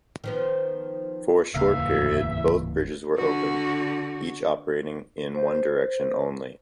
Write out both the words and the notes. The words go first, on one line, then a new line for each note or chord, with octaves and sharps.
For a short period both bridges were open, each operating in one direction only.
D#3 F3 B3
D1 E2 G#2 C#3 E3 A#3 E5 F5
D3 F#4
C5